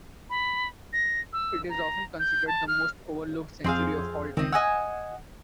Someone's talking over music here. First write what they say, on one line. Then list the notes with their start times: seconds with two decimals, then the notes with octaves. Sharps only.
It is often considered the most overlooked century of all time.
0.30 B5
0.93 A#6
1.33 E6
1.69 A#5
2.19 G6
2.47 A5
2.68 F6
3.64 F2 C4 G#4 F5 C6
4.37 C#2 D#3 C4 D#5
4.52 D#5 F#5 G#5 E6